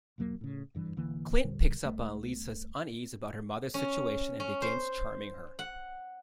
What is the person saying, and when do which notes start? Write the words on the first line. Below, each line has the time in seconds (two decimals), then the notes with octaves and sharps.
Clint picks up on Lisa's unease about her mother's situation and begins charming her.
0.18 B1 E2 F#3 A#3
0.41 A2 C#3
0.75 F#1 G2 E3
0.97 D1 D3 E3 A#3
1.44 E2 A#2 D3 G3
1.85 C2 A3
3.74 C#4
4.40 C#4
4.62 C5
5.59 F#5